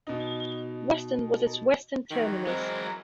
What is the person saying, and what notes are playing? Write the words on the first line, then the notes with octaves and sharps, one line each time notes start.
Weston was its western terminus.
B2 D#4
D#3 E3 F#3
G#3 C4 A#4